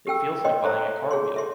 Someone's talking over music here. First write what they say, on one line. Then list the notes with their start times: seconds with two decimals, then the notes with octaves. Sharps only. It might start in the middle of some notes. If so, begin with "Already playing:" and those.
It feels like buying a car wheel.
0.07 G4 A4 G5 E6
0.45 C#5 D#5 G5 C6
0.64 A4 C5 C#5 E5 A#5
1.11 G#4 C#5 C6
1.34 A4 E5 C6